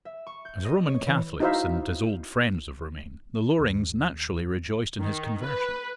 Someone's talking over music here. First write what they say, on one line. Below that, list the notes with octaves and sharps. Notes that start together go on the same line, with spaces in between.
As Roman Catholics, and as old friends of Romayne, the Lorings naturally rejoiced in his conversion.
E5
C#6
G6
D#5
C#5
E3
D#4 E4 F#4 C5 E5 F5
D#2
D#3
B4